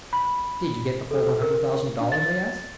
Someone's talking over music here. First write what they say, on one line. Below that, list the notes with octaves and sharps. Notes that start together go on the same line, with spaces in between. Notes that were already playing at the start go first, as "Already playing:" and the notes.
"Did you get the full one hundred thousand dollars?" I asked.
B5
A4
A#4
D4
A6